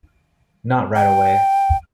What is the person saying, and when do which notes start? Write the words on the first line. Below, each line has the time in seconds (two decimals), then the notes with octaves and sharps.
Not right away.
0.96 G5